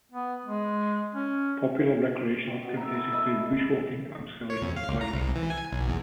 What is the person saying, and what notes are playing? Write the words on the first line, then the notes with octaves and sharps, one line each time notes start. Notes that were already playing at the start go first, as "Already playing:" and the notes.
Popular recreational activities include bushwalking, abseiling and gliding.
B3
G#3
C#4
C3
B2
E5 A#5
E4 A4
D#5 E5 A5 B5
C#5
F2
F5
C#2
A#5
C2
E3
G#5
B1
E2